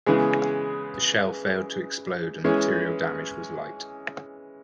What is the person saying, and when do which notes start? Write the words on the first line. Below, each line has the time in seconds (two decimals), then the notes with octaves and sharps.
The shell failed to explode and material damage was light.
0.06 C#3 E3 G#3 B3 G#4
2.44 E3 G#3 C#4 G#4